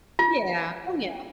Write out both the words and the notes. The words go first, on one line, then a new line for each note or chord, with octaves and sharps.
Yeah. Oh yeah,
F4